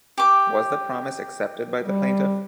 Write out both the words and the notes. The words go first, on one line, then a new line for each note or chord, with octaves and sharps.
Was the promise accepted by the plaintiff?
G4 D6
G3